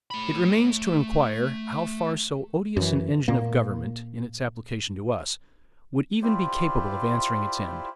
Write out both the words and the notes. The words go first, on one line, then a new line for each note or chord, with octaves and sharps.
It remains to inquire how far so odious an engine of government, in its application to us, would even be capable of answering its end.
A3 B5
F#2 E3
A#2 A#3
E4 F4 G4 C5 D5